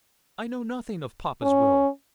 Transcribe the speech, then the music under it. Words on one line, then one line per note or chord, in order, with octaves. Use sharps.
'I know nothing of papa's will.
C#4